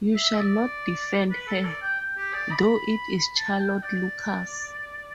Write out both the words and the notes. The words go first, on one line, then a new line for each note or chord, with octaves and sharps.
You shall not defend her, though it is Charlotte Lucas.
E5
D5
B4
A4
D5
G5
G5
G4
D5
B5
A5
G5
D5